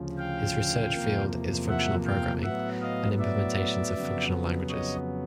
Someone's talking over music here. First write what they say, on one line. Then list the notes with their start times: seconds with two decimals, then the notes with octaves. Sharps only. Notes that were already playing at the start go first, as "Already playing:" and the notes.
His research field is functional programming and implementations of functional languages.
Already playing: D2 C#3 F3
0.18 F5 G5
0.93 E2 C3 F3 A#3
1.69 E5 F#5
2.06 F5 G5
2.43 A2 F#3 B3 E5 F#5
2.82 D#5 F5
3.19 D5 E5
3.94 F2 C#3 F#3 B3
4.70 C#5 D#5